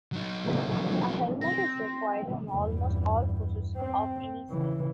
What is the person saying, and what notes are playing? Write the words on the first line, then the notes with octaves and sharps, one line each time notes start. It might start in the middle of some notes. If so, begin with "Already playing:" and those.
A helmet is required on almost all courses of any size.
F#3 D#4
C4 A#6
E2 G2
C4
C#3 E3